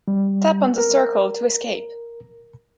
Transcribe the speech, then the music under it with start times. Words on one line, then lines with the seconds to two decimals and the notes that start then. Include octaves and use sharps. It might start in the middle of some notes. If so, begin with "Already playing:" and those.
Tap on the circle to escape.
0.08 G3
0.78 A#4